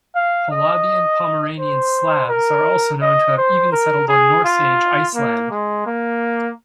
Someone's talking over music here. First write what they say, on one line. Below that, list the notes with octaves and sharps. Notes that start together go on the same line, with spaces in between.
Polabian-Pomeranian Slavs are also known to have even settled on Norse age Iceland.
F5
D#5
C5
A#4
D#5
C5
A#4
G#4
F4
A#3
G#3
A#3